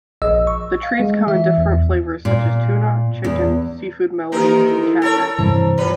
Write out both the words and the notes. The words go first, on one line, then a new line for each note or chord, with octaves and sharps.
The treats come in different flavors such as Tuna, Chicken, Seafood Medley, and Catnip.
A#1 D#5 E6
C#6
F5
G#3
E3 E5
E2
A#2
E2
D#3 E3 A#3 G4 A#4
E4 A4
A4 A#4 C#5 A5 A#5
G2 C3 E3 C5
F#3 F4 B4 C5